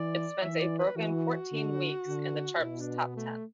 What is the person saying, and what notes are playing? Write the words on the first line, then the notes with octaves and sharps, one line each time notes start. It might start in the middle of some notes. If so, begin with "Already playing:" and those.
It spent a broken fourteen weeks in the chart's top ten.
Already playing: E3 D5
E3 E5
D5
B4
E3 F#4
D3
D3
B2 E4
D4
B3
A3